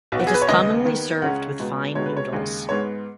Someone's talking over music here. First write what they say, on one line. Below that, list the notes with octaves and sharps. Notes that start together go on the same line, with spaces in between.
It is commonly served with fine noodles.
B1 B2 B3
F#4
G#4
B4
C#5
D#2 C#3 G#3 B3 D#5
D#2 D#3 B3
C#2 C#3 G#3 C#4 F#5
C#2 B2 G#3 B3
C#2 B2 G#3 C#5
B4
C#5
D#2 C#3 G#3
G#2 G#3 B3 C#5